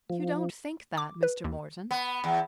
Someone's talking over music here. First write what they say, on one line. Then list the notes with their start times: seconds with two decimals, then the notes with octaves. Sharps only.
"You don't think that, Mr. Morton."
0.10 F3
0.97 D6
1.23 B4
1.44 D#2
1.91 B3
2.24 E2